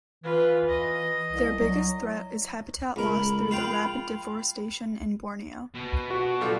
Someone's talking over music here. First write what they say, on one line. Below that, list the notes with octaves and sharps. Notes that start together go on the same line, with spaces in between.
Their biggest threat is habitat loss through the rapid deforestation in Borneo.
E3 F4 B4
D#5
C2
F#3
C#2 A#4 B5
F4 F5 G5
B2
F#4
G3 A3 F4